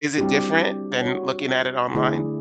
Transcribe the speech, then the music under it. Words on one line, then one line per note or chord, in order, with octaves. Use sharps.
is it different than looking at it online?
G3 C4 D4 E4 F#4 G4
F#4 C#5
D3 A3 E4 G#4 D5